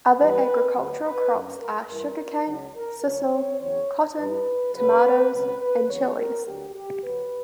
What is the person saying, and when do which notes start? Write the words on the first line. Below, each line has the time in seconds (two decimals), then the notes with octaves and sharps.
Other agricultural crops are sugar-cane, sisal, cotton, tomatoes and chillies.
0.19 G2 E3 B4
0.76 D2 D3 F#3 B4
1.05 B4
1.33 F#2 D3 F#3 A#4
1.61 A#4
1.89 G2 E3 A#4
2.47 C#2 C#3 F#3
2.76 A#4
3.04 D2 D3 F#3 C#5
3.61 E2 C#3 F#3 C#5
4.18 G2 E3 B4
4.75 C#2 C#3 F#3 B4
5.33 C#2 B2 F#3 B4
5.60 B4
5.89 E2 C#3 F#3 C#5
6.18 A#4
6.47 D2 D3 F#3 G4
6.75 G4
7.03 D2 D3 F#3 B4